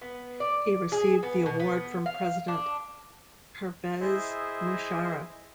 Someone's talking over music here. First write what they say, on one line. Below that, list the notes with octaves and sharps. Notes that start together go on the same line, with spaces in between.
He received the award from President Pervez Musharraf.
B3
D5
G#4
B3
B2
B3
F5
D4
E4 G#4 C5 D#5 E5